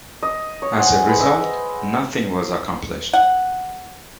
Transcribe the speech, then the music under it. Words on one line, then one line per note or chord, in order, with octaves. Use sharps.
As a result, nothing was accomplished.
D#5
C#5
C5 F#5 G#5
G#4 B4 C5
D#5 E5
D#5
F#5